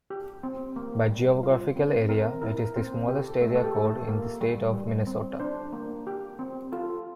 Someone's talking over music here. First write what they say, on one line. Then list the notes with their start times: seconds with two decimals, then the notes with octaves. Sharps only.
By geographical area, it is the smallest area code in the state of Minnesota.
0.10 G4
0.43 C4
0.76 A#3
1.10 G3
1.43 F4
1.76 C4
2.09 C4 A#4
2.42 E4 A#4
2.76 C4 C5
3.08 G4
3.19 A4
3.41 A3 A4
3.55 A4
3.64 G4
3.75 A3
3.85 A4
4.08 A#3
4.41 G3
4.74 G3
5.07 C4
5.40 D4 C5
5.73 A#3
6.07 G4
6.39 C4
6.72 F4 A4